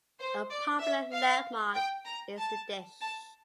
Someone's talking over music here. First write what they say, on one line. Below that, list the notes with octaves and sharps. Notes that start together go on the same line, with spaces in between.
A popular landmark is the Dish.
C5
D5
E5
F5
G5
A#5
A5
A5